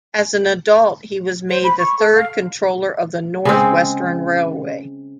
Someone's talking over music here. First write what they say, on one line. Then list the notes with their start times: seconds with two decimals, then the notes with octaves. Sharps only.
As an adult, he was made the third Controller of the North Western Railway.
1.49 C5
1.63 B5
1.78 C#6
1.99 A4
2.15 F5
3.45 C#3 G#3 C4